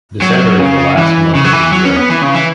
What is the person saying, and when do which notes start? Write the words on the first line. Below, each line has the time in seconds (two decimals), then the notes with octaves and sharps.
December is the last month of the year.
0.22 F#3
0.59 C#3
0.97 E3
1.35 C#3
1.44 F#3
1.53 E3
1.72 F#3
1.85 C#4
1.96 B3
2.10 E3
2.22 C#3
2.34 E3